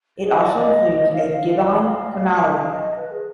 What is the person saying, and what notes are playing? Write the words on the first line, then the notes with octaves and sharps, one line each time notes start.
It also includes "a Gibbon chronology".
G#4
D#5
D5
D#5
F5
F5
F5
F5
D#5
B4
G#4